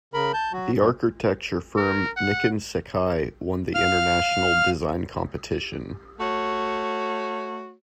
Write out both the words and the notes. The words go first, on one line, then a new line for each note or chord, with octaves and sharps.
The architecture firm Nikken Sekkei won the international design competition.
C#3 A#4 B5
A5 G6
F#3 F#4
F#2 B2
A#4
F#5
F5 F6
A3 F#4 C#5